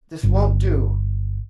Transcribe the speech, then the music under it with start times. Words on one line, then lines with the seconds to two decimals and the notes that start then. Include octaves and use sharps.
This won't do.
0.23 G1